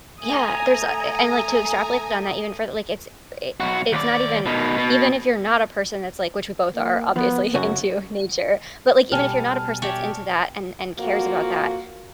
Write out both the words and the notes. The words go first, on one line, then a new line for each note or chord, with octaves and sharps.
Yeah, there's, uh eh, and, like, to extrapolate on that even further, like, it's eh, it's not even even if you're not a person that's, like which we both are, obviously, into nature but, like, even if you're not a person that's into that and and cares about that,
A3 G#5 A#5 D#6
B1 F#4
D#2 D5
B2 D#3
B2
A#3
F3 B3
F#2 C#3 C#4 F#4
B2 G3 A4 G#5 A5 F6
G4 C#5 D5 E5
F2 A#3 F4 F#4